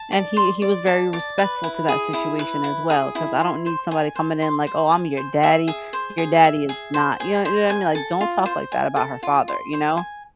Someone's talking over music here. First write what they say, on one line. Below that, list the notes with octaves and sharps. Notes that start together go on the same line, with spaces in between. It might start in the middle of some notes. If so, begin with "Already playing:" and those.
and he he was very respectful to that situation as well, 'cause I don't need somebody coming in like, "Oh, I'm your daddy, your daddy is not" you know you know what I mean, like "Don't talk like that about her father," you know.
Already playing: A5
D5
C6
D5
A5
D5
B4
E4
G#4
E4
B4
E4
G#4
E4
C6
C5
G#5
C5
C6
C5
G#5
C5
E5
G#4
C5
G#4
E5
G#4
C5
G#4
C5
G#5
A4
F4
C5
G#5
A4
F4
C6
C5
G#5